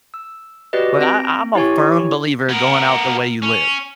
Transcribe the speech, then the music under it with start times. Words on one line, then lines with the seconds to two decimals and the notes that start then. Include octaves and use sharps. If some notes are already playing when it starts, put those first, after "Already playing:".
but I I'm a firm believer going out the way you live,
0.14 E6
0.73 F#4 G4 B4 D5 D#5
0.99 C4 A#6 D7
1.55 E4 G4 C#5 G#5 C#6
2.49 B3 A#4
3.42 C#4